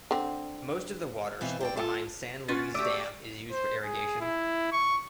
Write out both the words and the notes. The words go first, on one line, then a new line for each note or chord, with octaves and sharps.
Most of the water stored behind San Luis Dam is used for irrigation.
D3 C4
B2 E3 C4 F5 G#5
C4 D5 G5
F4 A4 G#5
C#4 F4 F#4 A6
A3 F#4 G4 D5 D6 E6
C5
G#4
E4
C#6